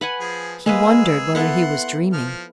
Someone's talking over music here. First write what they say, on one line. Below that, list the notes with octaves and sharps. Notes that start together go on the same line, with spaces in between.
He wondered whether he was dreaming.
B4 F#5 G#5
F3 G#4
G#3 A#3 G#4 B4 E6
B3 E4 A4 F#5 C6
F3 F6